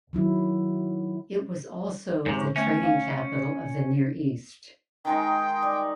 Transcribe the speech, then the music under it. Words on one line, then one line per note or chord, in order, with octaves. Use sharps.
It was also the trading capital of the Near East.
D#3 F#3 E4
G#2 C3 C#5
D3
A3 B3 C#4 E5
F5
D#3 G#3 D#4 G5
G3